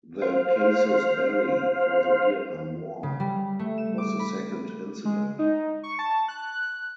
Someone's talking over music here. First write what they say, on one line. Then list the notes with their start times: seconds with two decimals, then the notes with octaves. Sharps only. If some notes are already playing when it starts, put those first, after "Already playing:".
The "casus belli" for the Vietnam War was the second incident.
0.22 C5 F5
3.03 C#3
3.20 G3
3.59 A3
3.78 E7
3.98 D6
4.19 B5
5.05 G#3
5.39 D#4
5.83 C#6
5.99 A5
6.28 F#6